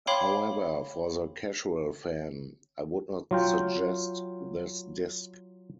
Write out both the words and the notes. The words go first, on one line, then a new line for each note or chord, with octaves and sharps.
However, for the casual fan, I would not suggest this disc.
C#5 F5 G5 B5 C6 D6
F#3 F4 G5